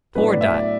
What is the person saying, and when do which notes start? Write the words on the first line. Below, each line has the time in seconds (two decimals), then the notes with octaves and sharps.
Poor Dot!
0.15 A2 F#3 B3 D4 B4
0.28 D5
0.41 E5
0.54 D5